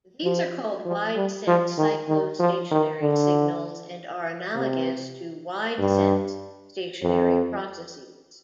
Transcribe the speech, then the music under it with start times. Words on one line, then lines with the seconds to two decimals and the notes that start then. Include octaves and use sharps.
These are called wide-sense cyclostationary signals, and are analogous to wide-sense stationary processes.
0.23 F3
0.85 F3
1.16 G3
1.47 F3
1.78 D#3
2.08 D#3
2.39 F3
2.71 D#3
3.02 D3
4.56 C3
5.79 G2
7.03 F2